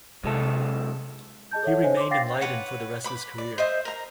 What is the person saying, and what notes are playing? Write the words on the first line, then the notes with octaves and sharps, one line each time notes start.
He remained in Leiden for the rest of his career.
B1 C3 G#3 A4
G#4 D#5 A5 G6
A4 C#5 E5 F#5
D4 D#4 C5 C#5 D#5 G#5
C6 D6
F5 G5 D6 A6 A#6 C7
B4 C#5 F#5
B4 B5 D6
D5
C5 D#5 E5
A#4 A#5